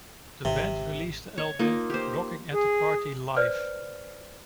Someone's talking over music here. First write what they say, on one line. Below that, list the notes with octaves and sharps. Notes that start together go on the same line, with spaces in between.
The band released the album Rocking At The Party Live!
G#1 C3
C#5
A#3 D#4 F4
G4 C5
G#4
B4 C5 D5 F6